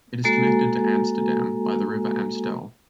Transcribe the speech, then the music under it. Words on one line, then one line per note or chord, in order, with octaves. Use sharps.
It is connected to Amsterdam by the river Amstel.
G#3 A#3 F#4 A4 G#5 A#5